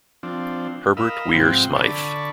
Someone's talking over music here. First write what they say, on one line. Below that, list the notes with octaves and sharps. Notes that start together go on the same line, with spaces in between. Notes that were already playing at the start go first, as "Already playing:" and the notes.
Herbert Weir Smyth.
F3 C4 D4
A#4 D#5 F5 B5 E6
G#2 C3 F3 C4 F#5 G5
D3 D5 A5 B5 C#6